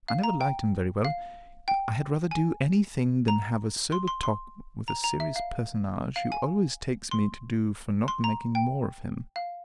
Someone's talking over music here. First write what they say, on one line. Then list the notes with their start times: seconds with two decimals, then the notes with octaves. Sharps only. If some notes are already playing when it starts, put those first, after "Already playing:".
I never liked him very well; I had rather do any thing than have a sober talk with a serious personage, who always takes me to do for not making more of him.
0.08 F5
0.24 A#5
0.41 G5
1.05 F5
1.68 G5
2.31 G#5
3.28 A#5
3.92 C6
4.08 C6
4.23 C6
4.88 A#5
5.04 A#5
5.20 E5
5.36 F5
6.16 F5
6.32 G#5
7.11 C6
8.08 C6
8.24 A#5
8.55 G5
9.36 F5